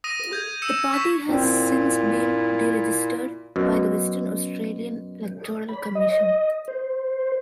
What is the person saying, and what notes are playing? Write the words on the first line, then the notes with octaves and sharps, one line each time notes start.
The party has since been de-registered by the Western Australian Electoral Commission.
D#6 A#6 D#7
G6 G#6
D#6 E6 C#7 E7
C#6 B6
A#2 C4 E4 G5
F#2 B2
B5
D#5
C5